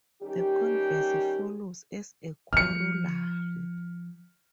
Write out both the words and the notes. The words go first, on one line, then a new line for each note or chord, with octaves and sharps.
The converse follows as a corollary.
D#3 G3 C#4 G4
F3 F6 C#7